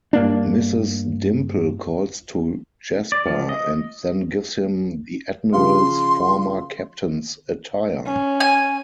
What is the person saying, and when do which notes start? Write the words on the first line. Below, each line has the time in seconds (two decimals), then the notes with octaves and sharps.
Mrs. Dimple calls to Jasper and then gives him the Admiral's former Captain's attire.
0.13 G2 A#3 D4
3.12 D5
3.27 F3
3.49 D#5
5.53 C#3 F3 F5 C6
8.06 C#4
8.40 G#5